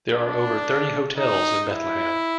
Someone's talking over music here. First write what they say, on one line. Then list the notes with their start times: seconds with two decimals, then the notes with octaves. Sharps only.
There are over thirty hotels in Bethlehem.
0.15 D4
1.17 D#4
1.70 E4